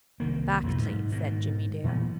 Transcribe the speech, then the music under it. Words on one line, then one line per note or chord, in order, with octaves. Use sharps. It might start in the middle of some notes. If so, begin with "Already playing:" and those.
"Exactly," said Jimmie Dale.
C2 D#3 A#3
B1 F2 A2 F3
G#2
G#2 B2 D#3
A#2 E3 F3 B3